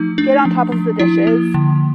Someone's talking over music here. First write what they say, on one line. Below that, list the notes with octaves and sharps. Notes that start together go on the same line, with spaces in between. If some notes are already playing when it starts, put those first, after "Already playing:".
get on top of the dishes,
Already playing: F3 A3 D#4
D4
F3
F3
F3 E4
A#3
D3